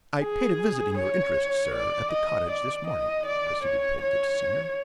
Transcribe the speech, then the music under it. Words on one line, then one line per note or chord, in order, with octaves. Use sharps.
"I paid a visit, in your interests, sir, at the cottage this morning," proceeded Pedgift Senior.
G#4
C#5
D5
D#5
D5
D#5
D5
C#5
C#5